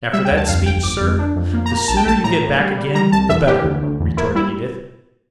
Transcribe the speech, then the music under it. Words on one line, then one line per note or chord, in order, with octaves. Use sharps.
"After that speech, sir, the sooner you get back again the better!" retorted Edith.
G3 E5
G5
D2
A5
F2 F5
G1 G5
G1 D6
F2
D4
F2
A#3
A#5
A#3
A#5
A#1 A5
G5
A#1 A5
A2 A#5
A2
G3
G3
G3 A#5
C2 A5
E2 E5
E3 G4
D2
D2
E2
A#3 E4
G3 E4